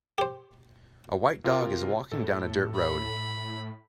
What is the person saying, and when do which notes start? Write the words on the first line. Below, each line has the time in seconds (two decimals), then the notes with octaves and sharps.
A white dog is walking down a dirt road.
0.18 G4 C5
1.44 C3 F4 A#4
2.12 A2 A4
2.76 B5